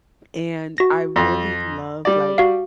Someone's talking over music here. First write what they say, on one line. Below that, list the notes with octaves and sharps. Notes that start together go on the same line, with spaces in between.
and I really love, like,
F#4 A#6
F2
G3 D5
F#4 F5